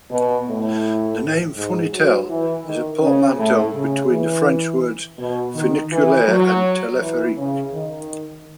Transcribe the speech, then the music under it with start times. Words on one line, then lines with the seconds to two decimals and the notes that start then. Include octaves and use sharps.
The name "funitel" is a portmanteau between the French words "funiculaire" and "telepherique".
0.11 B2
0.47 A2
1.56 G#2
1.92 F#3
2.29 E3
2.64 D#3
3.01 C#3
3.37 A2
3.74 C#3
4.10 E3
5.18 B2
5.55 D#3
5.91 E3
6.28 F#3
7.00 E3
7.36 C#3
7.73 D#3